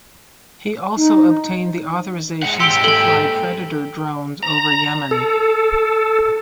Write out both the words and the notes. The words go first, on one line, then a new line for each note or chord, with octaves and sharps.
He also obtained the authorizations to fly Predator drones over Yemen.
D#4
G#3 F#5
G#2 G4 C6 E6 D7 G7
A4 G5
A#5
A4